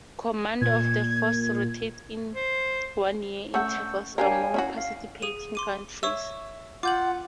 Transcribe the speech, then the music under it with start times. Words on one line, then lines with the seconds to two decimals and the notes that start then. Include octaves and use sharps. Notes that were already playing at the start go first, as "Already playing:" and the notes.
Command of the force rotates in one year intervals among participating countries.
0.61 A#2 G#6
2.34 C5
3.54 A3 C#4 F#5 C#6 E6 G6
4.18 D4 G4 A#4 C#5 F5 G#5
4.54 C#4 E4 F#4
4.78 F5
5.23 G#4 D#7
5.55 C6 D6 D#7
6.03 C#5 E5 C#6 E6
6.83 F4 F#5 D6 G6 F#7